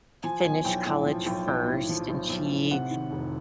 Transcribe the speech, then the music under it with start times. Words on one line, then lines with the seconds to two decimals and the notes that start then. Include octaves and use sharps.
finished college first, and she
0.24 F3 G#5
0.45 B1 G#5
0.65 B1 G5
0.86 A2 G5
1.06 F3
1.26 B1 G5
1.48 B1 G5
1.68 A2
1.89 F3
2.09 B1
2.30 B1
2.50 A2
2.71 C3 F#5
2.91 D#3
3.12 F1